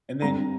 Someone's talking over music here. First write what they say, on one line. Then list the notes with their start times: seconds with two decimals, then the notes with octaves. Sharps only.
And then
0.22 G2 G3 C4 A#5